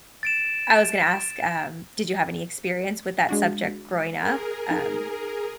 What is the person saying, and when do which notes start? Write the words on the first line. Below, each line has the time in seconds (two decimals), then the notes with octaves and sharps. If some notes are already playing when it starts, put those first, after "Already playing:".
I was gonna ask, um, did you have any experience with that subject growing up, um,
0.23 A6 D7 E7
3.29 G#3 D4 F#4
4.20 G#4 A#4
4.71 D#4